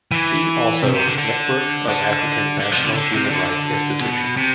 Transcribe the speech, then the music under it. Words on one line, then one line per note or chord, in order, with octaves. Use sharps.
See also Network of African National Human Rights Institutions.
E3
C3
C3
D3
D3
D3
D3
F3
C3
D3
D3
C3
D3
B2
C3